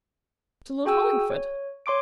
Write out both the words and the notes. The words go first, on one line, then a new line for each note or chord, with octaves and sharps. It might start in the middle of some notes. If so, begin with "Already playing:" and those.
To Lord Hollingford?
F#4 G#4 G5 G#5 E6
C#5
C#5 C6 D6 D7